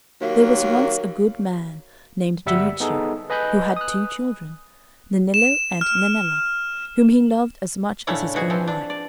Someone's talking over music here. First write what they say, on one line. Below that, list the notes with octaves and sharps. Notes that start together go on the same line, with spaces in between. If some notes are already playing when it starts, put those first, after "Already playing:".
There was once a good man named Jannuccio, who had two children, Nennillo and Nennella, whom he loved as much as his own life.
D#2 F#3 A#3
G1 G3 E5 F#5 E6
B3 D#4 G#4 A4
B4 D#5 G#5 B5 F#6 G6
D#6 F#6
E7
F6
A2 C#3 C#4 D4 E4
B2 E3 F#4 G#4
E3 F3 C4
D4
D5